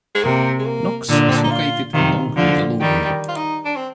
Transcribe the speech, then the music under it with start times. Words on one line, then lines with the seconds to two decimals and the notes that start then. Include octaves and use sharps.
Knox is located along the Yellow River.
0.15 G#3
0.23 C3 A#3
0.59 G#3
0.66 A#3
1.09 A#2 D3
1.28 C4
1.36 D4
1.44 D#4
1.51 F4
1.94 C3 D#3 F4
2.37 D3 F3 F4
2.80 D#3 G3 G4
3.28 F4
3.36 D#4
3.65 D4
3.76 C4